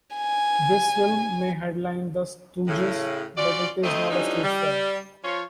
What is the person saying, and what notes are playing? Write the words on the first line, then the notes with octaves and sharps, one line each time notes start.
This film may headline the Stooges, but it is not a Stooge film.
G#5
A2 C#3
C#4 F4 F#4 D5
D2 F3 A3 C4 D#5
D3 E3 F3 G3 C#4 D#4
G3
F3 F4 C#5